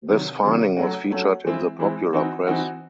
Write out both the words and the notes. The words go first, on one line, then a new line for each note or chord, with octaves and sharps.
This finding was featured in the popular press.
C3 D#3 F#3
C3 D#3 F#3
F#3 A3 C#4 F#4
F#3 A3 C#4 F#4
E3 G#3 C4 E4
E3 G#3 C4 E4
E3 C4 D#4 F#4
E3 C4 D#4 F#4